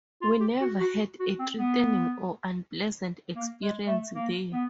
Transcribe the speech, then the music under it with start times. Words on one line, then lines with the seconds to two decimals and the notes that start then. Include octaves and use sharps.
We never had a threatening or unpleasant experience there.
0.22 F4
0.40 G4
0.61 F#4
0.80 F#4
1.20 F#4
1.39 C4
1.58 B3
3.35 A#3
3.62 G#3
3.87 A3
4.14 A#3
4.53 B3